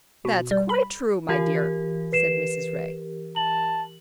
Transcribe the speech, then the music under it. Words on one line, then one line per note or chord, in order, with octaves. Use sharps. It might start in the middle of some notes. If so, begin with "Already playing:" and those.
"That's quite true, my dear," said Mrs. Ray.
B2
G3
B5
E3 G4 A#4
B4 C7 E7
A5 F#7